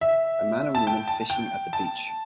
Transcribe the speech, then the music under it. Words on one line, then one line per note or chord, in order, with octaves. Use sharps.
A man and woman fishing at the beach.
E5
A5
G5
A5
G5
A5